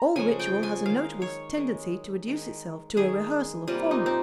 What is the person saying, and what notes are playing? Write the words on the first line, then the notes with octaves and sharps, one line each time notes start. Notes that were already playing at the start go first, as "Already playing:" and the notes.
All ritual has a notable tendency to reduce itself to a rehearsal of formulas.
Already playing: A#5
C#3 F3 G#3 G#5
G5
G#5
D#3 G#3 F5
C#5
D#3 G#3
D#3 G#3
D#3 G#3 G#4
C3 G3 A#3 F4
D#4
C4